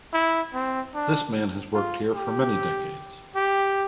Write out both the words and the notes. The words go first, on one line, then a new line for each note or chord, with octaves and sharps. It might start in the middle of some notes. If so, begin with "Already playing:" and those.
This man has worked here for many decades.
E4
C4
D4
F4
G4
G4